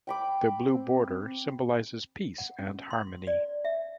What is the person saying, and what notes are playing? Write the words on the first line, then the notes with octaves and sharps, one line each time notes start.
The blue border symbolizes peace and harmony.
G5 B5 D6
C4
F#5
C#4
C6
D5
E5